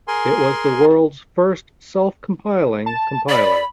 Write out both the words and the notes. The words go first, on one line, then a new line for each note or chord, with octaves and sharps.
It was the world's first self-compiling compiler.
G#4 A#4 G#5 C6
A5
D5 B5